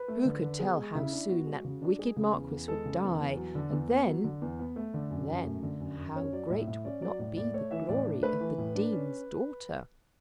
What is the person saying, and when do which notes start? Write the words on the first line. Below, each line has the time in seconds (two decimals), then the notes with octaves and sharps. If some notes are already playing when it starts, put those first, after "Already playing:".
Who could tell how soon that wicked Marquis would die; and then,--then how great would not be the glory of the Dean's daughter!
Already playing: B4
0.08 A3
0.25 D3
0.42 D3
0.59 B3 G#4
0.77 G#3
0.95 C#3 E4
1.12 D4
1.29 B3 F#4
1.47 G#3
1.64 C#3
1.82 D4
1.98 G#3 G#4
2.16 C#3
2.34 E2
2.51 E2
2.68 G#3 A4
2.85 C#3
3.03 E2
3.20 E2
3.37 F#3
3.55 D3
3.72 E2
3.90 B3
4.07 F#3
4.24 D3
4.42 E2
4.59 B3
4.76 A3
4.94 D3
5.11 F#2
5.28 F#2
5.46 A3
5.63 D3
5.80 F#2
5.97 F#2
6.15 C#4 C#5
6.33 F#3 D5
6.50 A2 E5
6.67 A2 E5
6.85 C#4 D5
7.01 F#3 D5
7.19 A2 D5
7.36 A2 D5
7.54 A3 C#5
7.71 E3 E5
7.89 A2 D5
8.06 D4
8.23 A3 B4
8.41 E3
8.58 A2
8.75 D4
8.93 C#4